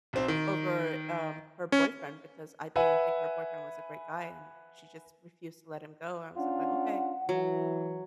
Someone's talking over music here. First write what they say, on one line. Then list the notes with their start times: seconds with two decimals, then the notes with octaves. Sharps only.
over, um, her boyfriend because I didn't think her boyfriend was a great guy, and she just refused to let him go. I was like going, "Okay"
0.13 B1 C4
0.28 D#3
1.72 C#4
2.76 B4 E5 F#5 G#5
6.37 C#4 D4 F4 F#5
7.29 E3 F#3